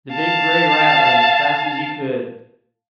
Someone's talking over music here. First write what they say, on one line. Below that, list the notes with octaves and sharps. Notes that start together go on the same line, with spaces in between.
The big grey rat ran as fast as he could.
F5 A5